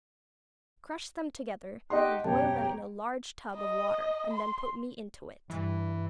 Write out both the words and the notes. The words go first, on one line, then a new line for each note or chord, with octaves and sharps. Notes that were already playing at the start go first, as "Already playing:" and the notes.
Crush them together and boil them in a large tub of water, and then put me into it.'
D#4 G4 D#5 F#5 C6 F#6
E1 F#2 G4 C#5 A5 A#5
D#5
C6
G2 E3